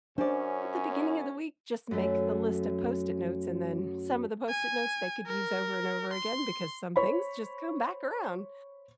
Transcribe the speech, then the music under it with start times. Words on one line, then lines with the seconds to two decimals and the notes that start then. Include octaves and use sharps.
at the beginning of the week, just make the list of Post-it notes and then some of the Post-it notes they could use over and over again because some things just come back around,
0.18 F#2 C#4 D4 C5 D5
1.91 F#2 A3
4.49 G#5
5.26 A#4
6.13 C6
6.96 C5 C#5 B5